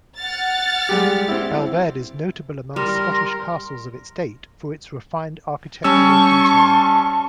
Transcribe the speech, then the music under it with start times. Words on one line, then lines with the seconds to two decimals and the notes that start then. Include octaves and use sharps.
Balvaird is notable among Scottish castles of its date for its refined architectural detail.
0.17 F#5 F6 A6
0.89 G3 G#3 G4
1.28 C4 E4
2.76 G3 A#4 C6
5.84 G3 C#4 A5 C#6 E6